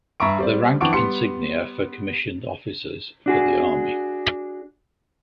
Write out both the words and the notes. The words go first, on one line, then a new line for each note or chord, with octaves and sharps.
The rank insignia for commissioned officers for the army.
G2 E5 A#5 C#6 D7
G3 C4 D5
F2 E3 D4 F#5 C#6 D7
G3 B3 C6 C#7
D4 F#4 G#4